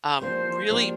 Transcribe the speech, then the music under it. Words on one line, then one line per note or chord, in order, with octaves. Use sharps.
um, really
F3 A#3 D4 G4 C5
F3 A#3 D4 G4